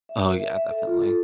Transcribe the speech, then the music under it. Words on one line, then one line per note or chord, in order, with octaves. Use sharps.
Oh, yeah, definitely.
E5
A#4
E5
E5
A4
F4
A4